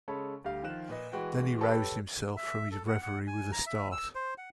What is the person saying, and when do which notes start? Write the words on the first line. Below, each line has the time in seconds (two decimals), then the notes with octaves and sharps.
Then he roused himself from his reverie with a start.
0.08 C#3 G#3 A4 C#5 B5
0.44 D2 G3 G4 F5
0.63 D#3 F3 F4 F#6 E7
0.89 A#2 B4 D#5
1.12 E3 G#3 F#4 B4 G5
1.61 G4 A4 B4 C#5 G5 B5
2.37 E5
2.72 A4
2.88 F#5
3.02 F#5
3.27 G#5
3.52 A#5
3.66 E5
3.92 E6
4.15 C5
4.38 F#5